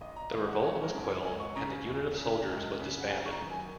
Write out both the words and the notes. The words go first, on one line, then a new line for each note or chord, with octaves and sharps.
The revolt was quelled and the unit of soldiers was disbanded.
A#1 D#5
A#5
G#2 D#3 D#5
F#5
G#1 C#5
A#4
F#2 C#3
C#5
C#2 G#5
C#6
C#3 A#5
D#2
C#3
C#2
C#3
F#5
F#1 G#5
C#6
A#5
F#2 D#3
G#5